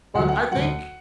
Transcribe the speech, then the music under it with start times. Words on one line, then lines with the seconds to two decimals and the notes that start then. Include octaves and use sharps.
But I think
0.14 D2 D3 F#3 F#5
0.29 F#5
0.33 G5
0.51 D2 D3 F#3 F#5